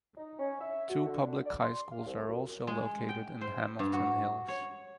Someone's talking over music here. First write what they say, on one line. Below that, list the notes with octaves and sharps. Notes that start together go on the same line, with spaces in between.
Two public high schools are also located in Hamilton Hills.
D#4
C#4
E5
F#4
D3
D4
D5
C6
F5
C2
F#2
G#3
G5
C5
G2
F#4
C#5